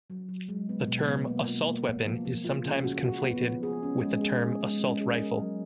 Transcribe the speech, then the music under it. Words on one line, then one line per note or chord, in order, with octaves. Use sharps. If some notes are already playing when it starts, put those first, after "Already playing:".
The term "assault weapon" is sometimes conflated with the term "assault rifle".
F#3
F#3
G#3
B3
B2
B3
A#3
F4
A#3
A#3
F3
F3
F4
C#3
F#4
F#4
B3
F3
G#4
C#4
G#3
G#4
G#4
G#3
C#4
G#4
A#4
F#3